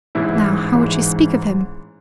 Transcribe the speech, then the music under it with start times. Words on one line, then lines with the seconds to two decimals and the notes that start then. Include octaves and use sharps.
"Now, how would she speak of him?"
0.15 A1 G#2 E3 E4
0.73 A1 G#2 E3